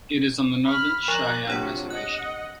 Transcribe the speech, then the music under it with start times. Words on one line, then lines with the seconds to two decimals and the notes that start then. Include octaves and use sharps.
It is on the Northern Cheyenne reservation.
0.66 B5 F6
1.08 F3 D5 A#5 F#6
1.47 C3 F3 F#3 D4 C#5 F#5
1.90 D#5 F#5 F#6